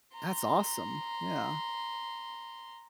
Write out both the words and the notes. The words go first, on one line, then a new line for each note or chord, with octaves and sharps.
That's awesome, yeah.
A#5 C6